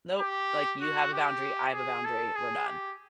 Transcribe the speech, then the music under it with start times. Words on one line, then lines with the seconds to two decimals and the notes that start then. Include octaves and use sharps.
nope, like, you have a boundary, I have a boundary, we're done.
0.20 G4
0.82 F#4
1.13 G4
1.74 G#4
2.05 A4
2.36 G#4
2.66 G4